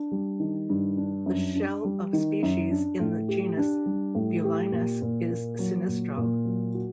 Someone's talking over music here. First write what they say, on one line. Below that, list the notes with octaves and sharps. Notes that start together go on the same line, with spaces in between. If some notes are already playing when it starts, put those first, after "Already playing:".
The shell of species in the genus "Bulinus" is sinistral.
Already playing: D4
G3
D#3
G2
D4
F#2
D4
G3
D#3
F#2
D4
A2
G4
D4
G3
A2
G4
A#2
A#2
A#3
F#3
A#2
A#2
F#3
F#4